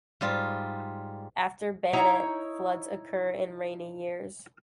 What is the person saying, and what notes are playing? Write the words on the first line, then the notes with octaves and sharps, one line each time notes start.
After Banat, floods occur in rainy years.
G#2 G3 F4
D#4 E4 C#5 A#5